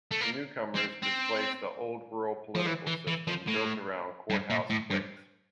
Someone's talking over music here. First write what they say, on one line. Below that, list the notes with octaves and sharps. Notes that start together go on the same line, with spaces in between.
The newcomers displaced the old rural political system built around courthouse cliques.
A3
A#3
C4
C4
F3
E3
E3
E3
F3
A2
G2
A#2
A2
G2